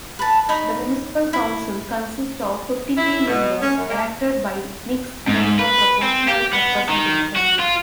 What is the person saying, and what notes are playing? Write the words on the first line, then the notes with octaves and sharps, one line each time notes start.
The municipal council consists of fifty-three members elected by mixed-member proportional representation.
B4 A5
D#4 C#5 B5 D#6
E4
E4
B2
C#4
F#2
A#3
G#2
B4
C4
G4
B3
D#3
F#4
F4